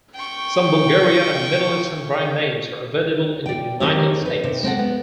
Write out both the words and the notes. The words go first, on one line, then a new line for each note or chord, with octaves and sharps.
Some Bulgarian and Middle Eastern brand-names are available in the United States.
G5 C#6
D5 G5
D#3 C4 D#4 G4 G#4 C#5
D#4 B4
C3
G#3 C4 A4 F#5
B3